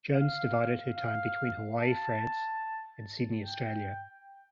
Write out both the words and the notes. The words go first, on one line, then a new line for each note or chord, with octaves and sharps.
Jones divided her time between Hawaii, France and Sydney, Australia.
F5
F5
A5
G5